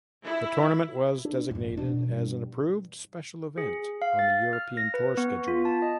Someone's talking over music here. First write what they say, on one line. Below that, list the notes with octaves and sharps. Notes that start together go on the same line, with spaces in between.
The tournament was designated as an "Approved Special Event" on the European Tour schedule.
E4
D4
F1 F2 G#2
B2 E3 D4
G2
G#4
F5
A6
F6
A#6
B4
B3
F4
A5
D#5